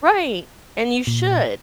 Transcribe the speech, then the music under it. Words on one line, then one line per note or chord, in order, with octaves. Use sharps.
Right, and you should.
A#2